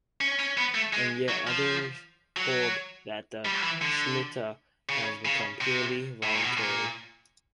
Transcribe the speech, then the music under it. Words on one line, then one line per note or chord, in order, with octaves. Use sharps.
And yet others hold that the Shmita has become purely voluntary.
C#4
C#4
B3
A3
G#3
F#3
F3
F#3
G3
E3
D3
C#3
C#3
C3
A2
A#2
B2
A#2